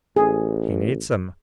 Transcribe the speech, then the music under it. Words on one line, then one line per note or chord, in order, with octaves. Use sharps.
He needs them.
A1 G#4